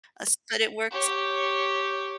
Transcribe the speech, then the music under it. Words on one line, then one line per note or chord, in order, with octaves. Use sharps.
uh, s but it works
G4 C#5